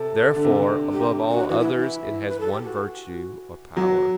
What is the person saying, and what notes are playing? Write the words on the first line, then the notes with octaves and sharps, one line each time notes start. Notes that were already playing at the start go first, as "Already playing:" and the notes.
Therefore above all others it has one virtue or power.
Already playing: C3 A4
D3
C3
D3
G4
F#4
E3 F#4
E4
E4
B4
A4
G4
F#4
F#3 F#4